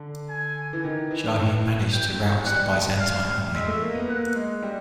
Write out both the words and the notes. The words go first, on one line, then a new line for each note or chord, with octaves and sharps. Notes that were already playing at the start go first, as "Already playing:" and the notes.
Shahin managed to rout the Byzantine army.
Already playing: D3
G#5
E3
D#3
E3
E3
G5
G3 F#5
F5
G#3 E5
A3
A#3
B3
A#3 F#5
G#3
G3